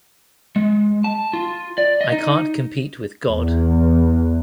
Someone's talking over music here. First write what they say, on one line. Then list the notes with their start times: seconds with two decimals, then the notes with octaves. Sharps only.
I can't compete with God.
0.56 G#3
1.04 A5
1.33 F4
1.78 D5
2.01 D#5
2.12 D#4
3.26 E2